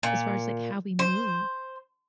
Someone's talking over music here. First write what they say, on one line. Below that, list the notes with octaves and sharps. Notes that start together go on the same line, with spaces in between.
as far as, like, how we move.
A#2
C5